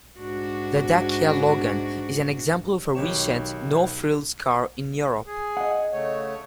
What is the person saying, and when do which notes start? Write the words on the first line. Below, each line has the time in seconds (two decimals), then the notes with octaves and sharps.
The Dacia Logan is an example of a recent no-frills car in Europe.
0.19 G#2 D4 F#4
2.95 B1 D#3 G4 C#5 C#6 E7
5.27 G#4
5.57 D#5 F#5
5.93 C#3 A3 C#5